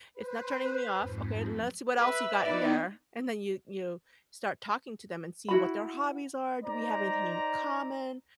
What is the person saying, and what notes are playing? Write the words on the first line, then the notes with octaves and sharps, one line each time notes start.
it's not turning me off, okay, let's see what else you got in there." And then you you start talking to them and see what their hobbies are, do we have anything in common?
B4 C5
F2 G#2
B4 E5
B3 D#4 E4 D5
E4 F#4 B5
D#4 C5 D5 A#5